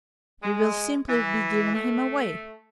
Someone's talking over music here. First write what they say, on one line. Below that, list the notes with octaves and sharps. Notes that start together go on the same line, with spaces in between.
You will simply be giving him away.
G#3
E3
A3